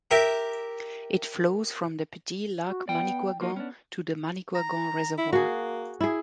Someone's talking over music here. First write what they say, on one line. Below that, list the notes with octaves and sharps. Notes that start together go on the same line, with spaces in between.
It flows from the Petit lac Manicouagan to the Manicouagan Reservoir.
G4 A#4 E5 G5
F#4
B3 D5 G5
F3 A#3 D#4 F#4
B3 C#4 D4
A#5
E4
A#3 F#4 G#4
E4 G#4